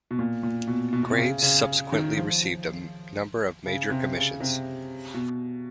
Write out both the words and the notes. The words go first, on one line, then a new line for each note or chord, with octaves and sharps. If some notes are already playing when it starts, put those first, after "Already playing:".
Graves subsequently received a number of major commissions.
B2
A#2
A#2
B2
B2
B2
C3
C#3
C#3
D#3
F3
C#3
C3
C#3
C3
B2